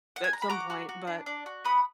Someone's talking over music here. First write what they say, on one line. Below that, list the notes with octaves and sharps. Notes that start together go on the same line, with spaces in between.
that some point, but,
F#5
G#5
A#5
B5
F#4 A#5 D6
F#4
F#4
D4
D4
F#4
B3 B5 D#6